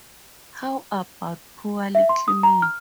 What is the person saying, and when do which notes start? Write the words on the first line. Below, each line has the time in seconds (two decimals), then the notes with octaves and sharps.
How about poor little me?
1.95 E5
2.09 C6
2.28 D#6
2.43 A#5
2.62 F6